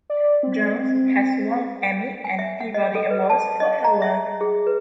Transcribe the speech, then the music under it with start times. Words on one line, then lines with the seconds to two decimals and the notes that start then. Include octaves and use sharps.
Jones has won Emmy and Peabody awards for her work.
0.10 D5
0.43 C4
2.24 G#5
2.39 E5
2.60 F#5
2.74 D#5
2.95 A4
3.10 B4
3.30 A5
3.60 D#5
3.84 A#5
4.02 E5
4.41 G#4
4.67 B4